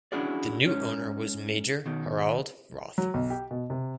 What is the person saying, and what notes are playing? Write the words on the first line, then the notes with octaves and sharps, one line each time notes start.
The new owner was major Harald Rothe.
C#4 D4 E4 F#4 G#4 D5
G#2 C#4
B2 D#3
F#3
B1
G4
B2
C3